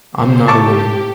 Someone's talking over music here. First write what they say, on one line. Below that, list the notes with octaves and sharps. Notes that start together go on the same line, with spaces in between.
I'm not a woman.
C#3 C5
G4 A5 C#6 D6